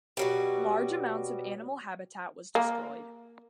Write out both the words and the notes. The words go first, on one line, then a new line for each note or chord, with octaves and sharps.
Large amounts of animal habitat was destroyed.
B2 F#3 G3
A#3